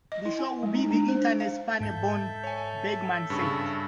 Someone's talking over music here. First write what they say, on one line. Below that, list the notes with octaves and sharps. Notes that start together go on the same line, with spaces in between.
"The show will be the Internet's funny bone," Bergman said.
D#5
E4
G#5
G#3
D#4
D4
C5
F5
G#2 A4 E5 G6
C#5 G#5
G2 C#3 C#6